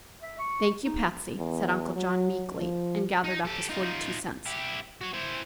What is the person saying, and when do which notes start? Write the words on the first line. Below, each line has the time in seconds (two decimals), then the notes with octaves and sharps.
"Thank you, Patsy," said Uncle John, meekly, and gathered up his forty-two cents.
0.22 E5
0.39 C#6
0.83 D#4
1.39 E2
1.96 F#3
2.58 F3
3.24 D#4
3.45 G4 A4
3.70 D#4 F4
4.46 E4 G4
5.01 F#4 C#5
5.13 E4 C5